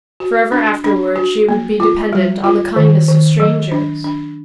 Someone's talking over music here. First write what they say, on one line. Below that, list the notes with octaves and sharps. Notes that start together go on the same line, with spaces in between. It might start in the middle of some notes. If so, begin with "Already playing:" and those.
Forever afterward she would be dependent on the kindness of strangers.
F#4
D4
D4
F#4
A#3
F4
G3
F4
D#3
D#3
F#3
D4
D4